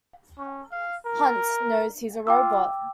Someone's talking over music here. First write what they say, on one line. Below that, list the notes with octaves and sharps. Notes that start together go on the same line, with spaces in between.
Hunt, knows he is a robot.
C#4
F5
A#4
F4 G5 D6 E6